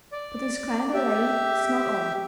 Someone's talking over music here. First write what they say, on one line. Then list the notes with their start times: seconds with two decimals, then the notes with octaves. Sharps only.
But this grand array is not all.
0.12 D5
0.94 G4 E5